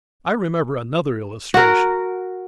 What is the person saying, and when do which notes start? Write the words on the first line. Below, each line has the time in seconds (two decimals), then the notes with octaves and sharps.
I remember another illustration.
1.54 F#4 A#4